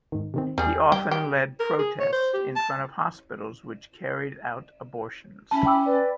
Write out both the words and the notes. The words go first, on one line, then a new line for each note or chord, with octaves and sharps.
He often led protests in front of hospitals which carried out abortions.
G#2 D#3
C3 D#3 C4
E2 G3 G#4
G3 G4
G4
A#4
G#4
C#5
C5
G4
A5
C#4 E4 A5 B5
G5 D6 E6
B4 D5